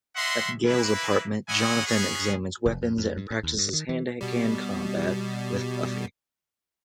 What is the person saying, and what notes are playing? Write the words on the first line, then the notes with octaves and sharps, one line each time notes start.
At Giles's apartment, Jonathan examines weapons and practices hand-to-hand combat with Buffy.
C#4 D#5 E5 F#5 C6
A#3 E4 B4
C#4 E4 C#5 D#5 F#5 G#5
B3 C#4 G#4
F1
F2
F2
G2
A2
D#2
G2
D#3
E3
B2 G3